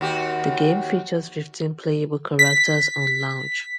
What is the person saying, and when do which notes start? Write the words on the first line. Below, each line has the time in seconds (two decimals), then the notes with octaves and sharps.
The game features fifteen playable characters on launch.
0.01 D#2 F#4 G4
2.39 B6